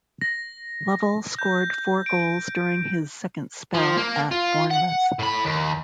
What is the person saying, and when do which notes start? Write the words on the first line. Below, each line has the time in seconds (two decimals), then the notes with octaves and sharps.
Lovell scored four goals during his second spell at Bournemouth.
0.21 A#6
1.39 G6
2.06 D7
3.74 F3
3.97 A#3
4.31 F4
4.70 F#5
5.19 A2 B5
5.45 D#2